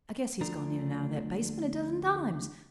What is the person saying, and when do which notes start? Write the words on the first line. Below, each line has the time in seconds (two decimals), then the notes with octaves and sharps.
I guess he's gone in and out of that basement a dozen times.
0.41 D2 F3 A3 D4 A#5